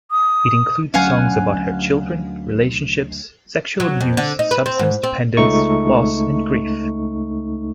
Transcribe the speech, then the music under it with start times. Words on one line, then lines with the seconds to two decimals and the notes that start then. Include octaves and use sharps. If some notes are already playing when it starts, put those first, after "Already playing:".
It includes songs about her children, relationships, sexual abuse, substance dependence, loss and grief.
0.11 D#6
0.94 D2 F#3 C#4 F5 F#5 G#5
3.80 F#3
4.01 F2
4.17 D3
4.39 D#4
4.51 B4
4.66 C4
4.79 G#2
5.03 C4
5.37 C#2 A3 D#4 C#6